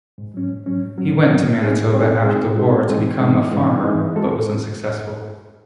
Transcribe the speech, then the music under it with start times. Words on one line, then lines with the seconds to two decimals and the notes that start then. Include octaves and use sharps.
He went to Manitoba after the war to become a farmer, but was unsuccessful.
0.18 G#2
0.34 F#3 C#4
0.50 G#2
0.66 F#3 C#4
0.82 G#2
0.98 F#3 C#4
1.14 G#2
1.29 F#3 C#4
1.46 A2
1.61 G#3 C4 D#4 G#4
1.77 A2
1.93 G#3 C4 D#4 G#4
2.09 A2
2.25 G#3 C4 D#4 G#4
2.41 A2
2.57 G#3 C4 D#4 G#4
2.72 G#2
2.88 E3 G#3 C4 D#4
3.04 G#2
3.20 E3 G#3 C4 D#4
3.36 G#2
3.52 E3 G#3 C4 D#4
3.67 G#2
3.84 E3 G#3 C4 D#4
4.00 E3
4.16 G#3 C4 F#4 A4